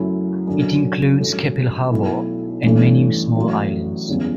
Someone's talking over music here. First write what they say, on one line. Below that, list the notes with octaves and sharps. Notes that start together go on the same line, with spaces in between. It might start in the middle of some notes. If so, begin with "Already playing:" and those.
It includes Keppel Harbour and many small islands.
Already playing: F#2 C#3 F#3 A3 E4
F#2 D3 F#3
A1 G2 F#3 A3
B1 B2 A3 E4
A1 G2 E3 A3
A1 A2 F#3
F#1 E2 C#3 G3 B3